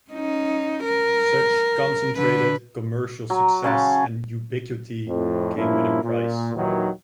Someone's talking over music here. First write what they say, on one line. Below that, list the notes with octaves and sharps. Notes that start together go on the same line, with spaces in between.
Such concentrated commercial success and ubiquity came with a price.
C#4 D#4
A#4
D3 B4
F#3
C#3 C#5 A5 C6
F2 A2
G2 A#2 F3 A#3 C#4 E4
A#2
D#2 A#2 D#3 E3 F#3